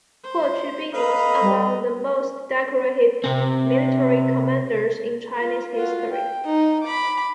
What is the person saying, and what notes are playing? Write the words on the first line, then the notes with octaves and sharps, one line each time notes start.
Huo Qubing was among the most decorated military commanders in Chinese history.
C5
A4 B4 D#5 F5 A#5
G3
C3 C4
F4
F4 F#4
G5
D#4
B5 D6